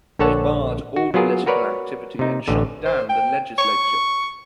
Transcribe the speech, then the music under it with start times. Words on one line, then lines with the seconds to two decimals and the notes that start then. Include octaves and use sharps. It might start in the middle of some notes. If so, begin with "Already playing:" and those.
They barred all political activity and shut down the legislature.
0.19 A#1 D3 A4 C#5 F#5 A5
0.96 F#4
1.14 F#3 B3 F4 G#4 A#4
1.46 F#4 A#4 B4 C#5 D5
2.19 C3 D#4
2.48 A1 D3
2.86 C5
3.09 G5
3.58 C#6